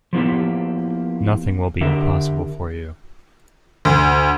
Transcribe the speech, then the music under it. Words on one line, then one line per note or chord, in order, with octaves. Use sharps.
Nothing will be impossible for you.
F3 F#3 A#3 B3 E4 G4
D3 D4 G4 A#4 E5
D2